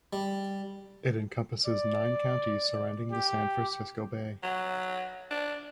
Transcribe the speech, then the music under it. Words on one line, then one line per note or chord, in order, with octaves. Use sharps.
It encompasses nine counties surrounding the San Francisco Bay.
G3
D5
G4
F#3
D4